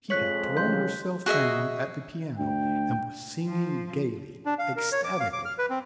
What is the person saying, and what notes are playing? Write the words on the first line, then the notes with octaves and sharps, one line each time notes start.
She had thrown herself down at the piano and was singing gaily, ecstatically.
F2 F3 G#3 C#5 F#6 B6 F#7
D#2 C#3 E3 C6 G6
F#4 G#4 D#5 E5
D2 G5
F3
D4
F5
A#4
C#5
D6
F5
D6
F6
B4
C4